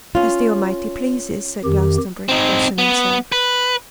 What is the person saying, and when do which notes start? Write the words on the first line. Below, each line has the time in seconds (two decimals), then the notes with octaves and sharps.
'As the Almighty pleases,' said Glastonbury, crossing himself.
0.15 C#4 F4
1.64 F2 D#3 G4
2.29 C4 D#4
2.78 B3
3.32 B4